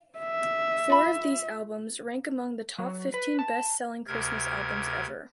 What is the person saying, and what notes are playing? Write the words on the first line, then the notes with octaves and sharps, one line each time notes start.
Four of these albums rank among the top fifteen best-selling Christmas albums ever.
E5
F4 B5
F#3
B4
A5
D2 C3 A#4 G#6